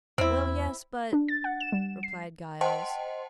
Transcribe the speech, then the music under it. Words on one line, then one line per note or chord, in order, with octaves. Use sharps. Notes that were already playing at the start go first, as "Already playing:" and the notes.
"Well, yes--but--" replied Giles.
E2 C4 E4
D4
A6
F#5
E7
G3
C7
C5 D#5 F#5 G5 A5 C6